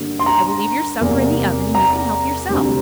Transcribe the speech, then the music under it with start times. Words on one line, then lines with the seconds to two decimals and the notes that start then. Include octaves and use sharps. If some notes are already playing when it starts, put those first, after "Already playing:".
I will leave your supper in the oven and you can help yourself.
Already playing: G2 D3 G3 A#3
0.19 C6
0.26 A#5
1.01 E2 C3 G3 A#3
1.75 A#5
2.49 D2 C3 G3 C4